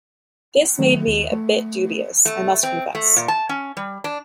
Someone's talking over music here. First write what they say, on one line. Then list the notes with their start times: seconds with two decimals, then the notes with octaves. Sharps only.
This made me a bit dubious, I must confess.
0.79 D#3 F#3 A3
1.08 D#2
1.32 A3
2.25 A3
2.63 C4
2.95 A3
3.16 A#2
3.28 A5
3.49 C#4
3.77 G3
4.04 D4